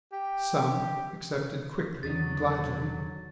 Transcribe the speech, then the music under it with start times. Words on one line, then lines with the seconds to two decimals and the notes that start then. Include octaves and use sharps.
Some accepted quickly and gladly.
0.12 G4
2.03 E2 D3 D#3 F#3 D#6 A6